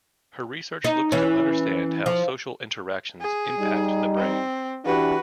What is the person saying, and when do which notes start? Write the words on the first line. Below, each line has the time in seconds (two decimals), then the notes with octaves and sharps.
Her research looks to understand how social interactions impact the brain.
0.84 D#4
1.12 E3 C#4
2.06 F3
3.21 G#4
3.60 G3 D#4
4.17 C4
4.85 E3 D4 F#4 G4 B4